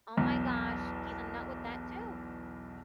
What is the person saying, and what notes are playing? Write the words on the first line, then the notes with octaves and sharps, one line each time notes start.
Oh my gosh. He's a nut with that too!
B1 E2 B2